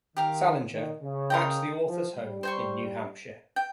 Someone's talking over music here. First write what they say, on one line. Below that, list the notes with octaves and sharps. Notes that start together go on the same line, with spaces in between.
Salinger at the author's home in New Hampshire.
D#3 G4 A#4 F5
D#3
C#3
A#4 D#5 G5
F3
G3
C5 G5 C#6
G5